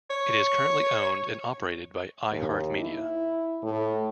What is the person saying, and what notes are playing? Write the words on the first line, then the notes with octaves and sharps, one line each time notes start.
It is currently owned and operated by iHeartMedia.
C#5
D#2
E4
A2